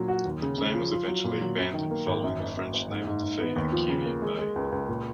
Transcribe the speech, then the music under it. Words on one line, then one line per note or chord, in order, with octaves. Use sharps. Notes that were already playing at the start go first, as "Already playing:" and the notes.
The plan was eventually abandoned following the French naval defeat at Quiberon Bay.
Already playing: A#2 F#3 C#4
F#4
D#2
C#3
C#3
F3
F4
F#3
A#2
F#3
F#2
D#3
A#3
G#1
F#2
F#1
F#2
F#1
G#2
G#2
G#2
B3
D#2
F3
C#3
A#3
G#3
G#3
C#2
C#2
A#2